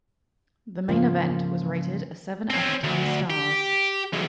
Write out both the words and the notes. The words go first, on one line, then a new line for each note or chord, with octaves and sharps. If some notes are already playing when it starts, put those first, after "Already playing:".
The main event was rated a seven out of ten stars.
G#2 C#3 F3 A#3
C4 C#4
D2
G4
B1 E2